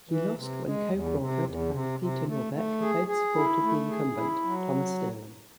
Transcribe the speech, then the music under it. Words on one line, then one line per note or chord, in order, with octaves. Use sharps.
He lost when Coe Crawford and Peter Norbeck both supported the incumbent, Thomas Sterling.
E3
C3
G#3
E2
C3
E2
C3
C3
A3
A3
G#4
G#4
E4
A3
G#4
E4
F#3